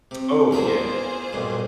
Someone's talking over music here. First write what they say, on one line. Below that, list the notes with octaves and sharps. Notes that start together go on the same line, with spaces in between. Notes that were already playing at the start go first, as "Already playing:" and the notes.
Oh yeah.
C3
E2 F4 G#4 A#4 C5 B5
B1 G2 A#2